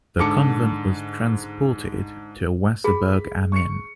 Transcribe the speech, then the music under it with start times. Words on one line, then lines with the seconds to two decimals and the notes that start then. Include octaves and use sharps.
The convent was “transported” to Wasserburg am Inn.
0.19 G#2 D3 A4 D6 C#7
2.84 G#4 B5
3.52 C#6 C#7